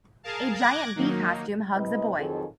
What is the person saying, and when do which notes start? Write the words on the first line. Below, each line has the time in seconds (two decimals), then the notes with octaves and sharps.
A giant bee costume hugs a boy.
0.23 G#4 A#4 F5 A5
0.58 D6 F#6 G#6 A#6
0.96 D#3 F#3 A#3 D#4
1.74 C3 E4 B4 D#5
2.16 F2 D#3 F#3 G#4 A4